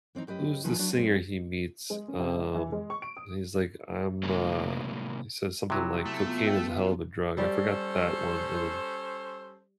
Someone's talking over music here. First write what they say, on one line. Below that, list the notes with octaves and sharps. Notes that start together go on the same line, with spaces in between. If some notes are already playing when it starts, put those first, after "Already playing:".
Who's the singer he meets? Um, and he's like, I'm, uh, he says something like cocaine is a hell of a drug. I forgot that one. And then
E3 C4 D4 D#4
F#2 G4 B4 D#5
E2 D#3 F3 D#4 B4 G#5
F#3 D4 F#4 B4
F#2 G#3 C4
G#3
C#4
C3
C#2
E3
G#3
C#6
D7
D#6
A2 C3 D#3 F#3 G#3 A#3
C3 F#3 E4
A3 B3 F4
E5 G5
G3 C#4 A4 C5